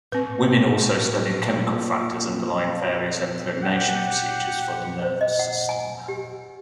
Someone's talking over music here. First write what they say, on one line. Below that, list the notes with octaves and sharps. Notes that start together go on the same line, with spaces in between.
Wolman also studied chemical factors underlying various impregnation procedures for the nervous system.
A2 C4 B4 C#6
A#3 F4
G4 F#5
C5
D#5
F#5
G#5
G4